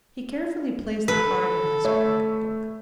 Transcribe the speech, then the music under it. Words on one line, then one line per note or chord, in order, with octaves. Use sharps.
He carefully placed the card in his pocket-book.
A4 B4
A3 C#5 E5